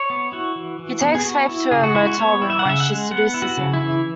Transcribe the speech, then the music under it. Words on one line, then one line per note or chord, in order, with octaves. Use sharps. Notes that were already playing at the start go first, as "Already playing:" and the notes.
He takes Faith to her motel room where she seduces him.
Already playing: C#5
B3
E4 F#4
E3
E3
B3
G#4
B3 F#4
E4
C#3 G#4
F#4
G#3 E4
F#4
B3 C#5
E4
E5
F#5
C#3 E5
F#5
G#3
B3 F#5
E4
F#4
C#3
E4
E3